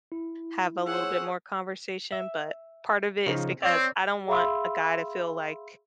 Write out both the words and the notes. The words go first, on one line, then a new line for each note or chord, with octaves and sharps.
have a little bit more conversation, but part of it is because I don't want a guy to feel, like
E4
G#4 C5 C#5 F#5 G#5 E6
E5
C#3 F3 D#4
C4 C#5 D5
G#4 E5 F5 B5 C6 E6